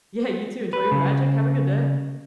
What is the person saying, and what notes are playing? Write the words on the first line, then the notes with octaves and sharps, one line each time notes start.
Yeah, you too, enjoy your magic, have a good day.
B4
C#3